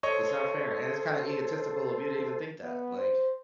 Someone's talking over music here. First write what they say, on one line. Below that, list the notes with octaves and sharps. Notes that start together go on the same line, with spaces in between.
It's not fair, and it's kinda egotistical of you to even think that. Like,
A4 C5 C#5 D#5 C#6
B3
C5